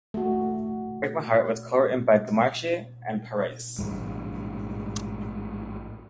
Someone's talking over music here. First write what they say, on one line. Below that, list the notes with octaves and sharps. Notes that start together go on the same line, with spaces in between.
"Break My Heart" was co-written by DeMarchi and Parise.
A3 F#4
A1 G#2 G3